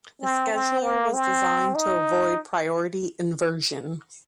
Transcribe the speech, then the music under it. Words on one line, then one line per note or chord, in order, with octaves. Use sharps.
The scheduler was designed to avoid priority inversion.
C4
C4
A#3
C4
D#4